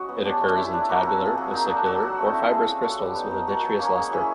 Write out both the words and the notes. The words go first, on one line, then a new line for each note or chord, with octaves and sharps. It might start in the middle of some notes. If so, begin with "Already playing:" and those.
It occurs in tabular, acicular, or fibrous crystals with a vitreous luster.
Already playing: F#3 C#4 F#4 D#5
B3
D4 G4
A3
C#4 E4
D4
F#4 A#4
C4
F4 G#4
F#3
A#3 D#4
D4
F#4 A4
F#3
A3 C4 D#4
E4
G#4 C5 F5
C#4
F#4 A4 C#5
G3
B3 D#4
D#4
F#4 A#4 C#5
F#3
A#3 C#4
G#3
C#4 E4 G#4